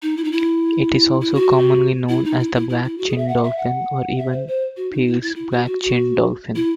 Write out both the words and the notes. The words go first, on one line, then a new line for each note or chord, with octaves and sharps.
It is also commonly known as the black-chinned dolphin or even Peale's black-chinned dolphin.
D#4
E4
D#4
E4
E4
F#4
E4
D#4
E4
E4
E4
E4
F#4
G#4
E5
F#5
E5
F#5
E5
C5
C5
F#4
D#4
E4
E4
E4
F#4
F#4
F#4
E4